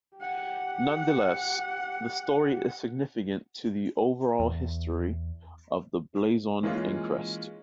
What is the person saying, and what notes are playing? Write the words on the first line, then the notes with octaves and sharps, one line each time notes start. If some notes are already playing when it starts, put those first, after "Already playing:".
Nonetheless, the story is significant to the over-all history of the blazon and crest.
G4 F#5
E2
E3 G#3 A#3 C#4 F4